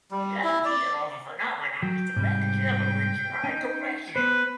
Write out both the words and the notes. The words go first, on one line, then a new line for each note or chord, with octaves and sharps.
The idea of a Phenomenon is to package elements and hide complexity.
G3
E4
D5
F#3 G5
G#2 C3 G3
C#4 D#4
B3 B4 C5